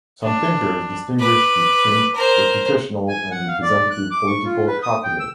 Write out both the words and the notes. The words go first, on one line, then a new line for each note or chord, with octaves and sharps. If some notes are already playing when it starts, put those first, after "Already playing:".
Some thinkers distinguish between reputational and representative political capital.
D4
B4 D6
A#4 C5
G#5
F#5
F5
D5
F#6
D6
C#6
F4
B4
D#6
G5
E6